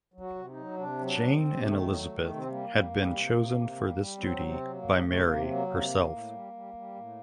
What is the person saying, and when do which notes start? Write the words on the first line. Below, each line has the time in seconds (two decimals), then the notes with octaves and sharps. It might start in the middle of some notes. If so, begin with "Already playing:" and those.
Jane and Elizabeth had been chosen for this duty by Mary herself.
0.14 F#3
0.20 F#4
0.35 C3
0.50 D#4
0.57 F#3
0.77 C3 D4
0.99 F#3
1.06 D4
1.20 C3
1.34 C4
1.41 C3
1.62 D#3 A3
1.83 F#3
2.06 D#3
2.26 C3
2.36 C4
2.48 G3 A#3
2.69 G3
2.90 G3
3.11 C3
3.33 C3
3.54 C3
3.76 G3
3.96 G3
4.17 F#3 C4
4.39 C3
4.46 C4
4.60 F#3
4.75 A#3
4.82 C3
4.96 A#3
5.03 C3 A3
5.24 C3 A#3
5.46 F#3 A#3
5.67 C3 A#3
5.88 A2
6.09 A2
6.30 G3
6.53 G3
6.74 G3
6.95 A2